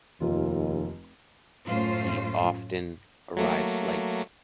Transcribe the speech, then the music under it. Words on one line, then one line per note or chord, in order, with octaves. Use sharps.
He often arrives late.
F1 D#2 F4
F#2 A2 C#4 F4 C5
F#3 A3 A#3